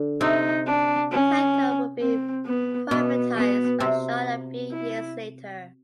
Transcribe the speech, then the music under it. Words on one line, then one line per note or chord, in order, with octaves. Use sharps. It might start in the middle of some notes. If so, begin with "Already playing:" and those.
Cancom would be privatized by Shaw a few years later.
Already playing: D3
C3 D#4
D4
C#4
C4
B3
B2 B3
B3
C3
E4